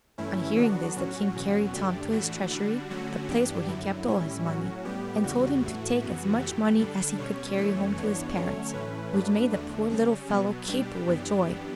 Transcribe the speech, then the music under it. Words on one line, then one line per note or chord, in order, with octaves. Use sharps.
On hearing this the King carried Tom to his treasury, the place where he kept all his money, and told him to take as much money as he could carry home to his parents, which made the poor little fellow caper with joy.
G2 E3 A3 C#4 E4
D3 F#3 B3 D4 F#4
A2 F#3 C#4
E2 B2 F#3 C#4
F#2 D3 A3 D4 G4
A2 E3 A3 D4 F#4
D3 G3 D4
D3 F#3 A3 C#4 F#4
G2 E3 B3 D4 G4
F#2 D3 F#3 E4
A2 G3 C#4
A2 F#3 C#4 F#4
A2 G3 B3 G4
E2 C#3 G3 F#4
A2 E3 A3
F#2 C#3 E3 B3
F#2 E3 A3 G4
D3 G3 D4 A4
B2 G3 C#4 C#5
F#2 E3 A3 C#4
G2 E3 B3 D4 C#5
D3 F#3 A3 C#4
A2 E3 A3 C#4 B4
G2 F#3 A3 D4
E2 D3 A3 D4
C#3 G3 C#4
B2 F#3 B3
B2 G3 D4 G4
F#2 E3 B3 D4